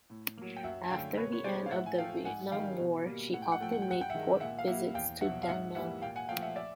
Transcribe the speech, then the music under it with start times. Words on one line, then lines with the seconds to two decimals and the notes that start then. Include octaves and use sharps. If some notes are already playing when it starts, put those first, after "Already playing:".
After the end of the Vietnam War, she often made port visits to Danang.
0.10 A2
0.37 F#3 A#3
0.56 G5
0.63 F#2 E5 F#5
0.84 G#5
0.90 D3 F#3 A3 F5 G5
1.17 B2 B4 C#5
1.33 C#5
1.44 G#3 C5 D5
1.66 F5
1.71 A2 E5 F#5
1.86 G#5
1.98 F3 A3 F5 G5
2.25 G#2 F#5 G#5
2.52 D#3 G3 F5 G5
2.79 B2
3.06 G3 A#3
3.33 A2 F#5
3.42 G5
3.52 F#5
3.60 F3 A3 G5
3.72 F#5
3.82 G5
3.88 G2 F#5
4.01 G5
4.10 E5 F#5
4.14 D#3 G#3
4.40 A#2 E5 F#5
4.59 F5
4.67 A#3 E5 F#5
4.72 G3
4.94 E2 F5 G5
5.21 F#3 E5 F#5
5.26 B2
5.43 F5
5.48 G#2 E5 F#5
5.75 E3 G3 A#3 E5 F#5
6.02 A#2 F5 G5
6.16 F#5 G#5
6.29 F3 A3 F5 G5
6.42 E5 F#5
6.56 D5 E5